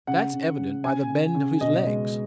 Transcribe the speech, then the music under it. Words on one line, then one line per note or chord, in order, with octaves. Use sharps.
That's evident by the bend of his legs.
C#3 F#5
C#3
C#3
C#3 G#5
C#3
C#3
B2 D#5
G#3